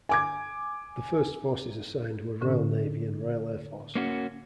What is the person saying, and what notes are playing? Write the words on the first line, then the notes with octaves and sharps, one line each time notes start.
The first forces assigned were Royal Navy and Royal Air Force.
G#5 D6 G#6
A2 D3 C#4
A#3 C#4 F#4